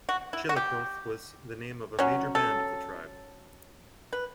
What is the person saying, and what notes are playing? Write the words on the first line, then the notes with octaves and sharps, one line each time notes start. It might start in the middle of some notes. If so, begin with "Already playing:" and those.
"Chillicothe" was also the name of a major band of the tribe.
F#4
E4
F#4
G4
F#3 C#4
A4
B4